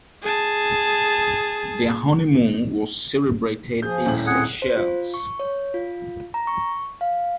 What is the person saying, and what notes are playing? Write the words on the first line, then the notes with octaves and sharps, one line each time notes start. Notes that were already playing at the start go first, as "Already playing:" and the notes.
Their honeymoon was celebrated in Seychelles.
G#4 A5
F3 G#4 G6
D#1 A2 C#4 F#7
C4 G#4 F#5
C5
F4
C#6
C#5
F4
A#5
C#6
F5